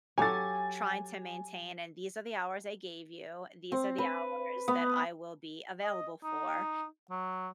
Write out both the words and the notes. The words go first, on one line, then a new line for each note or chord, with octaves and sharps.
trying to maintain, and these are the hours I gave you, "These are the hours that I will be available for,"
F#3 G4 A4 G#5 A6
C4
B4
B3
D#5
D#4
F#3